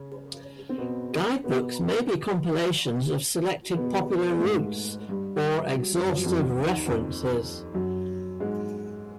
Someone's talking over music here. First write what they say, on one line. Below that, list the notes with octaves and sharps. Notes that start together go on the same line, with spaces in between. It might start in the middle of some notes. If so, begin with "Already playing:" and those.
Guidebooks may be compilations of selected popular routes, or exhaustive references.
Already playing: C#3 C#4
C4
B2 B3
B2 B3
B2 B3
A3
G#2 G#3
G2 G3
F#3
G3
F#2 F#3
F3
F#3
F2 F3
D#2 D#3
D#2 D#3
F2 F3
F#2 F#3
G#2 G#3